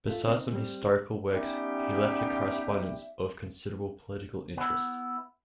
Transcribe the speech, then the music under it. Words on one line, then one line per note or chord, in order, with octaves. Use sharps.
Besides some historical works he left a correspondence of considerable political interest.
A3 F4
C4 D#4
G3 C4
G3 B3 C#4 D#4 G4 E5
B3 E4